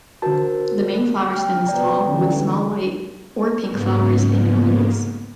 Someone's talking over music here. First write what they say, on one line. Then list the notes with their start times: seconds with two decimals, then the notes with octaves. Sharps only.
The main flower stem is tall, with small white or pink flowers in umbels.
0.22 D3 F#4 A#4 C5 A5
0.94 A3
1.31 G5 F6
1.67 C3 B3 D5 G5 A#5
2.08 D3 E3 G3 C#4
3.71 G#2 C#3 A#3 B3